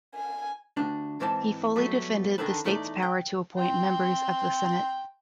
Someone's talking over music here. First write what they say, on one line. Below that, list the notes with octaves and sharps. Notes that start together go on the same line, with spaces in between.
He fully defended the state's' power to appoint members of the senate.
G#5
D2 D4 G4
G#2 E3 C4 G4 A#4 A5
F#3 G3 A3 B3
D3 D#3 D4 G4 A4 B4
E2 A3 D#4 A#4 D5
G5
G5 C6